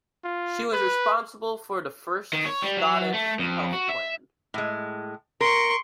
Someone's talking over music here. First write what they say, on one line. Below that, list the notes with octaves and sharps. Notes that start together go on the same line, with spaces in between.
She was responsible for the first Scottish Health Plan.
F4
B4
D#3
C#5
G3
F#3
A3
F2
F#4
E5
A2 G#3
A#4 C6 C#6